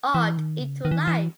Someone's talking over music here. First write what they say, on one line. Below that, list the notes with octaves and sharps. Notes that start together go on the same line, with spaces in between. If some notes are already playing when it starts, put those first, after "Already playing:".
Art into life!
E3
D#3
C#3
D#3
E3
D#3
E3